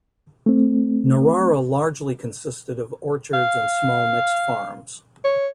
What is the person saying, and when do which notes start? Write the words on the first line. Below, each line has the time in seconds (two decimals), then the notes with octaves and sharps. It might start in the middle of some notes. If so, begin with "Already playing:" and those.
Narara largely consisted of orchards and small mixed farms.
0.46 A3 C4
3.34 F5
5.24 C#5